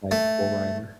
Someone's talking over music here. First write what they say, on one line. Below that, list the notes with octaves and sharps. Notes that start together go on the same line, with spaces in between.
like, bull rider.
A3